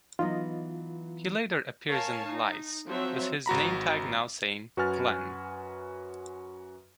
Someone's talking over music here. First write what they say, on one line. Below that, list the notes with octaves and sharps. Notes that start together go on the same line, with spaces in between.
He later appears in "Lice" with his nametag now saying Glenn.
E3 F#3 B3 D#4 F4 D#5
A#4 C#5 F5 G#5 A5
D#4
F3 F#3 C4 C#5 E5
G#1 F#4 A#5 B5
F#2 F#4 B4 G#5 F6 A6